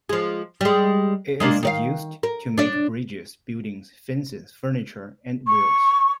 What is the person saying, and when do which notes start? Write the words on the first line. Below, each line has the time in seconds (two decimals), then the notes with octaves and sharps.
It is used to make bridges, buildings, fences, furniture and wheels.
0.09 F3 G#3
0.61 G3 G#3
1.40 G#3 A#3 D4
1.63 D#3 D5 F5
2.23 A#4
2.58 D4 D5
5.47 C#6